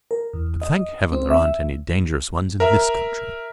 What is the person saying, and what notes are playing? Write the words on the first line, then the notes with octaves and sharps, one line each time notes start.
But thank Heaven, there aren't any dangerous ones in this country.
A#4
E2
D#5
C4
E5
A#4 E5 A#5